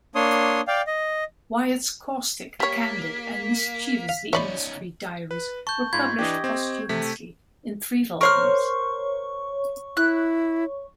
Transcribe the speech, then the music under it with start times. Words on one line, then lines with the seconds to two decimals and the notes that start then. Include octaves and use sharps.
Wyatt's caustic, candid and mischievously indiscreet diaries were published posthumously in three volumes.
0.15 A#3 D4 C#5 C6 D#6
0.68 D5 F5 G5
0.87 D#5
2.60 G3 A#3 C#5 B6
4.09 F5
4.33 C#4 D#4 C#5 D5 E5 B5 C6
5.31 B4
5.67 A5 C#6 G6
5.93 G#2 F4 B5 G#6
6.19 E3 D4 G4 D#5
6.44 C4
6.89 C3 A3 B6
8.21 A#4 C5 C#5 C#6 F6
9.97 E4 F#6